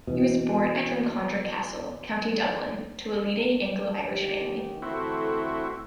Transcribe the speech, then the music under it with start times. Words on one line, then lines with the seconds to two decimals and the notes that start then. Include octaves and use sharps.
He was born at Drumcondra Castle, County Dublin, to a leading Anglo-Irish family.
0.07 B2 E3
3.99 G#2 D#3 G4
4.82 D3 E3 A3 C4 E4 F#4